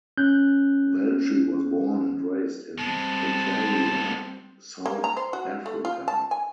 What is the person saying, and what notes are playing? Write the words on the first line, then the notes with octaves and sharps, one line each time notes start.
Velshi was born and raised in Pretoria, South Africa.
C#4 F#6 G6
G3 G#3 B3 C4 A5
A#3
A#5
C5
F#4
A3
F4
A5
G#5